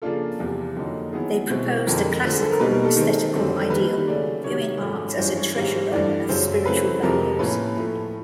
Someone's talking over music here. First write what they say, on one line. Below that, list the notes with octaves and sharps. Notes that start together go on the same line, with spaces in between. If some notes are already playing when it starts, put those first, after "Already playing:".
They proposed a classical aesthetical ideal, viewing art as a treasurer of spiritual values.
C#3 F3 A#3 D4 F4 A4
E2 C3 F3
F2 D3 F#3 A#3 D#4
D#3 F#3 B3 E4 G#4
B2 G#3 C4 E4
F2 D3 F3 G#3 A#4
D3 F3 A3 C4
G#4
A4
A#4
B2 G3 A#3 D#4 B4
A#4
A4
D#3 G#3 C4 A4
F2 D3 F#3 A3 C4
D#3 G3 A#3 B4
C#3 F#3 A3 D5
C3 D#3 F#3 C#5
G#2 F3 A3 C#4
G2 E3 G#3 C#4 F4 C5
C#5
G#2 D#3 G3 C4
G2 E3 A3 D5
F#2 C#3 F#3 C5
C#3 F#3 A3 C4 E4 B4
F2 C3 F3 G#3 A#4
A2 F3 A#3 C#4 B4
A2 F3 A3